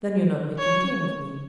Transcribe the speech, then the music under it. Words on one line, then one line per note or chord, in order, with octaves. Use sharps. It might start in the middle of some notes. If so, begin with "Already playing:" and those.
"Then you're not making game of me?"
C#5